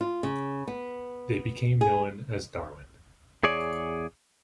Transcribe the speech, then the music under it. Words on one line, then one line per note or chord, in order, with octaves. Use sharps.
They became known as Darwin.
F4
C#3
B3
G#4
E2 G#4 C#5 D5